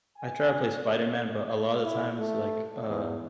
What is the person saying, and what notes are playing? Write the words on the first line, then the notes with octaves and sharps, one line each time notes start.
I try to play Spider Man, but a lotta the times, like, uh,
G#5
E4
A3
E2